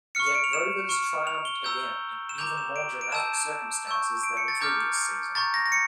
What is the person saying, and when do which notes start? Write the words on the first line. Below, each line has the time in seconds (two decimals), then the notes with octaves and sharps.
Yet Rovers triumphed again in even more dramatic circumstances than the previous season.
0.15 C#6 F6 C#7
0.27 C#7
0.35 D7
0.44 F7
0.53 E7
0.89 C#6 F6
1.27 F7
1.45 G7
1.64 A#5 E6 G6
2.29 E7
2.38 A#5 D6 G6 F7
2.57 E7
2.76 D7
3.01 D7
3.12 A5 E6 G6 E7
3.87 C#6 E6 G6
4.23 D7
4.37 C#7
4.48 A6
4.61 A#5 D6 F6 G6
5.35 A#5 C#6 G6 A6
5.54 A#6
5.66 A#6
5.72 C#7